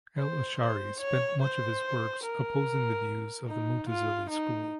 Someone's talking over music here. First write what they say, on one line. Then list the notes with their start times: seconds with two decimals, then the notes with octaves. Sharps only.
Al-Ash'ari spent much of his works opposing the views of the Mu'tazili school.
0.18 C5
0.59 C5
1.00 C#5
1.42 C5
2.24 A#4
3.47 D#4
3.89 F4
4.30 D#4